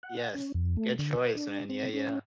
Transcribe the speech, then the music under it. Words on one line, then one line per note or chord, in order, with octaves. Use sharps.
Yes. Good choice, man. Yeah, yeah.
F#5
C#4
F2
A3
D3
B4
D4
C4
C#4